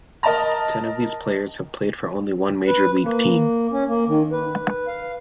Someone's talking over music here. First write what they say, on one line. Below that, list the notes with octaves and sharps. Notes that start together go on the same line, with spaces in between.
Ten of these players have played for only one major league team.
A#4 D#5 A5 A#5
B4
A#3
C#4
A#3
D#3
B4
F5